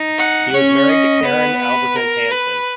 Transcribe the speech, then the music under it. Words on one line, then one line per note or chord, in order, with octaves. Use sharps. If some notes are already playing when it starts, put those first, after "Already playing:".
He was married to Karen Albertine Hansen.
Already playing: D#4
F#5
C#4 C#5
D#5
B3 B4
B4
A#4
B4